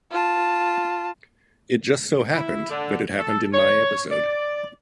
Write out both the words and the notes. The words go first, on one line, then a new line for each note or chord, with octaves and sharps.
It just so happened that it happened in my episode.
F4 A5
E4
D3
A4
C#5
D5